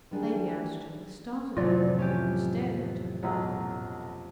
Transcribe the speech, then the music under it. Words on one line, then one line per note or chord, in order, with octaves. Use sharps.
Lady Anstruthers started a little, and stared at her.
D#3 E3 G3 D4 G#4
F2 A2 C3 E3 F#3 F4 D5
C#4 G4
B1 F#3